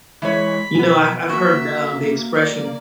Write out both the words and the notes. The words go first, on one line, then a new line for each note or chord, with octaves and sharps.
You know, I've I've heard the, um the expression
E3 G#3 C#5 B5
B2 B3 G#5
A#3 F#4 E5
D5